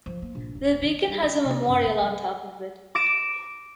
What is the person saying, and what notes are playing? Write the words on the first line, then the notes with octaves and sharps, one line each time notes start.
The beacon has a memorial on top of it.
F3
A#3
A#1
D#1
D#3
G3
D#3
C3
F#2
A3
F#3
D6 A#6 D7 E7